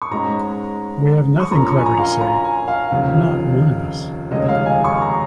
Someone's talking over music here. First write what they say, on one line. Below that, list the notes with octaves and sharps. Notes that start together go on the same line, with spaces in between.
We have nothing clever to say — not one of us.
C#6
G#2 G#3 C#4 A#5
C#6
A#1 A#2 A#3 C#4 A#5
C#6
G#5
A#5
F5
G#5
A#5
G#5
F5
F1 D#2 C#3 F3
F1 D#2 C#3 G#3 C#4 D#5
F5
G#5
C#6
A#5